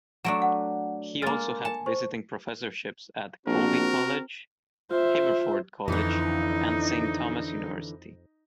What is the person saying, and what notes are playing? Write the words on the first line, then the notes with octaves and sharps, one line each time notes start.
He also had visiting professorships at Colby College, Haverford College and Saint Thomas University.
F#3 A3 D4 D7 E7
F#5
G#3 A#3 F6 A6
G#5 A5
C5 C#6
A#1 C4 F#4 A#4
F4 C5 E5
F2 D3 E3 D#4